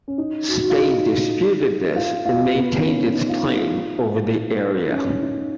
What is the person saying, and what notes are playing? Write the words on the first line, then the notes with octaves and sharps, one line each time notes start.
Spain disputed this and maintained its claim over the area.
C#4
D#4
F#4
F#4
F4
D#4
F4
F4
B3
C#4
C#4
D#4
F4
D#4
D#4
F4
D#4
C#4
D#4